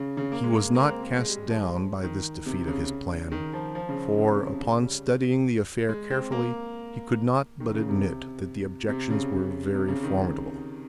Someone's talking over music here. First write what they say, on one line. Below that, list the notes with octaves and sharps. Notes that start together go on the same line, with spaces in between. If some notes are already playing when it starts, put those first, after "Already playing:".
He was not cast down by this defeat of his plan, for, upon studying the affair carefully, he could not but admit that the objections were very formidable.
Already playing: C#3
C#3
A#3
G#3
A#3
A#3
C4
A#3
G#3
G3
G3
F3
D#3
C3
C#3
D#3
F3
F3
C#3
C#3
C3
C#3
C#3
G3
G#3
C4
A#3
D#3
C#3
C3
C3
C#3
C3
C#3
D#3